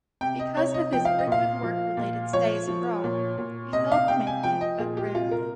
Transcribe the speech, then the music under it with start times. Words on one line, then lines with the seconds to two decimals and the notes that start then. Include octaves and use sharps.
Because of his frequent work-related stays abroad, he held the mandate but barely.
0.21 C3 G5
0.39 D#5
0.57 C3 C#5
0.74 D#5
0.92 F3 G5
1.05 F5
1.19 D#5
1.27 A#2
1.32 F5
1.63 F3
1.97 A#2
2.33 F3 C#5
2.68 F3
3.04 A#2
3.38 A#2
3.73 C3 D#5
3.92 F5
4.08 C3 G5
4.27 G#5
4.44 F3 G5
4.61 D#5
4.79 A#2 G#4
4.97 G4
5.14 C3 F4
5.31 A#4